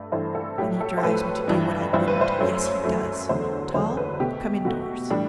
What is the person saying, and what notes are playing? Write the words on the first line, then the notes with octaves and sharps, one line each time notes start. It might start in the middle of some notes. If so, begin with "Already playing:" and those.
"And he drives me to do what I wouldn't; yes, he does!--Tall, come indoors."
Already playing: G2 A3
G2 E3 A3 C5
A4
A2 F#3 A3 G4
A4
C5
A2 F#3 A3 B4
G2 E3 G3
G2 E3 G3 C5
B4
C5
F#2 F#3 A3
F#2 F#3 A3
E2 D3 F#3 A3 C5
E2 D3 F#3 A3 C5
B4
B2 A3 G4
B2 A3 F#4
A2 E3 G3 D4